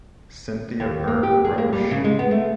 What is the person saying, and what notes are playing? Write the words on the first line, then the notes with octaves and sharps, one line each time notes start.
Cynthia Burke Roche.
D#2
A#3
G4
G#4
A#3
G3
C#3
G#3
B3
A3